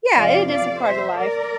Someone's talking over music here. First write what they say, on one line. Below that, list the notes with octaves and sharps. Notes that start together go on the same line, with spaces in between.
Yeah, it is a part of life,
F2 C3 F3 D5 F5
D5 F5
C5 E5
A#4 D5